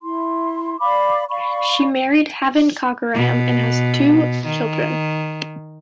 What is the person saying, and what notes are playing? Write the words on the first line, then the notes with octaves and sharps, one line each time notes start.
She married Haven Cockerham and has two children.
E4 C6
D5 F5 B5 D6
D5 F5 B5 C#6
B2
D#3